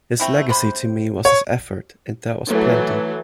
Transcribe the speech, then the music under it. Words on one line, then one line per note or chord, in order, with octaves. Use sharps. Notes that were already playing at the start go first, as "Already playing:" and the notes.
His legacy to me was his effort, and that was plenty.
A3 C4 E4
C3 C5 B5
C#5
E3 F#3 A3